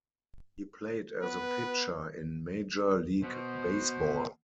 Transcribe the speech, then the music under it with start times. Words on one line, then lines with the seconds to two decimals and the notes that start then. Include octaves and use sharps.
He played as a pitcher in Major League Baseball.
1.22 B3 B4
3.22 B2 B3 C5